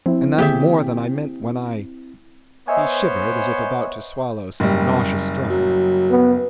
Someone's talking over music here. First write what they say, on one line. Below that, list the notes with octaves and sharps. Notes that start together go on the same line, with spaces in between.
"And that's more than I meant when I" . . . he shivered as if about to swallow some nauseous drug . . .
F3 C4 E4
D3 D#3 A#3 G4 G#4 E5
B3 C5 C#5 D#5 E5 G#5
F#1 G3
F#3
B3